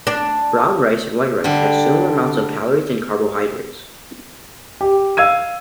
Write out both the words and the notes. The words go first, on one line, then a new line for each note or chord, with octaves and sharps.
Brown rice and white rice have similar amounts of calories and carbohydrates.
D4
D3 G3
G4
F5 E6 G#6 D#7